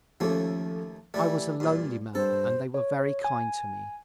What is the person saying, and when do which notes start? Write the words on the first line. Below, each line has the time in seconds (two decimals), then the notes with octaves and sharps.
I was a lonely man, and they were very kind to me.
0.20 D#2 F3 A3 A#3 C#4 A4
1.14 E3 G3 A3 D5
1.60 G2 A#2
2.15 G2 A4 C5
2.74 C#5
3.24 G#5